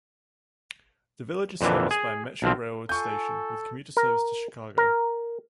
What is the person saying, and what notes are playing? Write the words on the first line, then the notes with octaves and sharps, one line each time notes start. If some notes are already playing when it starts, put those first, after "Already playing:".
The village is serviced by a Metra railroad station with commuter service to Chicago.
F2 A#2 D3 E3
G#4
B1 F3 C4
F4 A4 G#5 C#6 G6
A#4
A#4